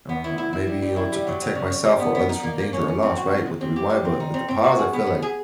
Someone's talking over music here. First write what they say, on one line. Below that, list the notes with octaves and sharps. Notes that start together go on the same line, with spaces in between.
Uh, maybe, you know, to protect myself or others from danger or loss, right, with the rewind button. With the pause, I feel like,
B3
E4
E4
E4
G3
G3
E4
G3
F#3
F#3
C#3
C#3
G3
B3
B3
D#4
A#3
A#3
C#4
C#4
C4
F#4
C4
G#3
C4
G4
G3
C4
D#4
C4
C4
F#4
G#4
B3
G#4
G#4